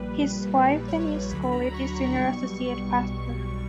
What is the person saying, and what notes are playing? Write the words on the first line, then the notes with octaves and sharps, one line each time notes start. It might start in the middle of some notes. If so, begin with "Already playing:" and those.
His wife Denise Goulet is Senior Associate Pastor.
Already playing: A#1 A#2 G3 B4
A#1 A#2 G3
C#5
D2 D3 F#3 B5
B5
A#5
B5
C#6
B1 B2 G3